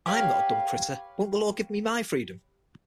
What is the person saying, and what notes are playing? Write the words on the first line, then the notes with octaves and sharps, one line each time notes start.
I'm not a dumb critter; won't the law give me my freedom?
G4 B4 C#5 F5